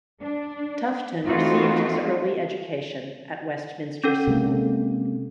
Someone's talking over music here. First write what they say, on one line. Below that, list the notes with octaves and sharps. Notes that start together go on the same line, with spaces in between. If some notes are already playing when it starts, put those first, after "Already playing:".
Tufton received his early education at Westminster School.
D4
E3 A3 C4 D#4 F4 F#4
C#4 D4 A4
C3 G#3 A#3